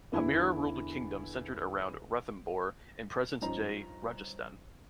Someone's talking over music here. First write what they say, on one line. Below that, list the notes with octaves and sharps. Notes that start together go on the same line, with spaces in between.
Hammira ruled a kingdom centred around Ranthambore in present-day Rajasthan.
E2 D3 E4
G2 F3 C#4 D#4 C5 A#5